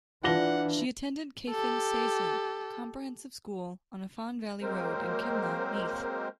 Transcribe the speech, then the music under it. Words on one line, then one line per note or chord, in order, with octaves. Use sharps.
She attended Cefn Saeson Comprehensive School on Afan Valley Road in Cimla, Neath.
E3 D4 F4 F#5 A#6 G7
G4 A4
F#3 G#3 A#3 C4 A#4 C5